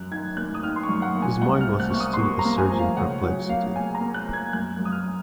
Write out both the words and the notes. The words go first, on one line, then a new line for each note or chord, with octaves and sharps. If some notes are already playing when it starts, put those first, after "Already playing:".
His mind was still a surging perplexity.
Already playing: F#2 F#6
D#3 G#6
A#3 F#6
D#6
D#3 F6
C6
C#6
F#2
F#5
A#3
G#5
C2 F#5
F6
C3
F#6
A#3 C#6
D#6
C6
A#3 C#6
A#5
A#3
G#5
F3
F5
C#3 F#5
F#3 F#5
A#3 F5
A#3 G#5
A#5
A#3
F#6
A#3
G#6
F#2 F#6
F#2
D#6
F6